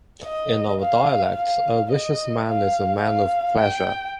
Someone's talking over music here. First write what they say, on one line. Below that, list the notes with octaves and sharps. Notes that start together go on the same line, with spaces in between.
In our dialect a vicious man is a man of pleasure.
D#5
F5
F5
D#5
F5
F5
G5